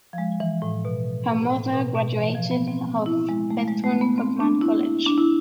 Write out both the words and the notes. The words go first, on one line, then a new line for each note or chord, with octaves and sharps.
Her mother graduated of Bethune-Cookman College.
F3
G#3
E3
A2
B2
A2
B2
B2
E3
F3
B3
C4
E4
G#3
A3
G#3
A3
B3
C4
D4
E4
E4
D4
E4